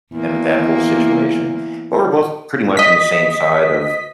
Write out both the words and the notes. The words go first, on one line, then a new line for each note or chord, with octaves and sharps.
and that whole situation, but we're both pretty much on the same side of
E2 A#3
D#5 B6